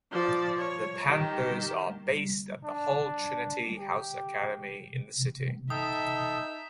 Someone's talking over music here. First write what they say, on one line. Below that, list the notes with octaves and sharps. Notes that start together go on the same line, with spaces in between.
The Panthers are based at the Hull Trinity House Academy in the city.
F3 D5
C#5
D#3 G4
D4
G4
D#4 A4 E5 G5 D#6